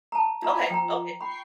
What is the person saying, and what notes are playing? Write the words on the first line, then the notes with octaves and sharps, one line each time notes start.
Okay, okay.
A5 A#5
F4 G#5 A#5 B5
F3 G5 A#5
G5 B5 C#6 C7